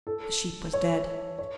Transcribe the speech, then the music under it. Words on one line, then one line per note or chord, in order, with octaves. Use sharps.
The sheep was dead.
A4
C#5
C#5